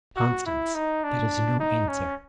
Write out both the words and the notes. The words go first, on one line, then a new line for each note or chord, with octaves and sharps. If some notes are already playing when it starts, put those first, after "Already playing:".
"Constance, that is no answer."
F#4
E4
D#4
D4
D#4
C#4